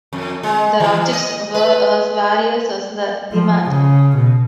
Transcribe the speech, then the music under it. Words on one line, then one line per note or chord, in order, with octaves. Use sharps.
Their objects were as various as their demands.
F2
G#3
E3
D#5
B4
F3
C#3
B2